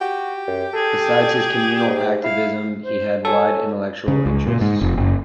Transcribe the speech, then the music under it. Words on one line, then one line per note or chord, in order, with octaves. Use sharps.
Besides his communal activism, he had wide intellectual interests.
F#4 G4
F#2
G#4 A4
G#2
E4 F5
C5
F#3 A4 G#5
C#3
C#2
A#2
G#2
F1
F#1